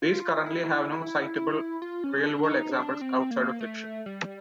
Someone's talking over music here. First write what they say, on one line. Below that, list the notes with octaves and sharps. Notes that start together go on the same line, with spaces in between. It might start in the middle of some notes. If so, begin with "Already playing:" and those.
These currently have no citable real-world examples outside of fiction.
F4
E4
E4
E4
F4
C#4
D4
D4
D#4
D4
C4
A#3
A3
G3